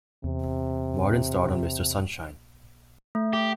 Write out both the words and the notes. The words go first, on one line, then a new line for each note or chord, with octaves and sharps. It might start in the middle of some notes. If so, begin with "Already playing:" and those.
Martin starred on "Mr. Sunshine".
E2 C3
A3
G4